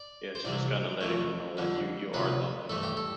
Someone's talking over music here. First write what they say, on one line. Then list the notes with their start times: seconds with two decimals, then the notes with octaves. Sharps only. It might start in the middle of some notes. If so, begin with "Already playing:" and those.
yeah, it's just kinda letting them know that you you are down to help 'em.
Already playing: D5
0.35 C5
0.45 C2 C3 E3 G3 D5
1.01 F2 E3 A3
1.57 F2 D3 G3
2.13 D2 C3 F3 B4
2.70 G2 E3 A3 A4
2.83 G4
2.97 A4